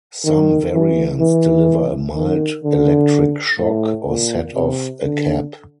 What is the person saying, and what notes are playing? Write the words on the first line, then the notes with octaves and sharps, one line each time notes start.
Some variants deliver a mild electric shock, or set off a cap.
D#3
E3
E3
D#3
D3
A2
A#2
C3
D3